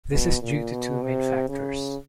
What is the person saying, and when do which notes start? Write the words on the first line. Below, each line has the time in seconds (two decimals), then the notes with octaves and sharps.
This is due to two main factors.
0.12 B2
0.42 A#2
0.73 B2
1.03 C3
1.49 C#3